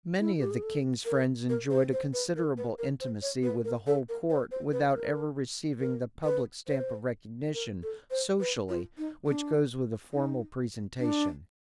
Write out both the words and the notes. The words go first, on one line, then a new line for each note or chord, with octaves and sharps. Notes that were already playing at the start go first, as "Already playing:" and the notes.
Many of the king's friends enjoyed a considerable intimacy with the whole court without ever receiving the public stamp of recognition, socially, which goes with a formal presentation.
E4
G4
G#4
A4
A#4
A#4
C5
C5
B4
A#4
B4
A#4
C5
C#5
B4
A#4
A4
A#4
C5
C5
B4
A#4
A#4
B4
C5
A#4
A4
C5
B4
F4
D#4
D4
D#4
D4